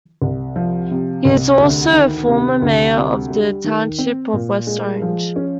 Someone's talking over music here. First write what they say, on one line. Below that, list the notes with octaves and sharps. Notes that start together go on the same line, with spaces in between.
He is also a former mayor of the Township of West Orange.
C2
F3
C3
C2
D2
D#3
C3
D2
C3
G3
D#3
C4
A#2
G#3
F3
C#4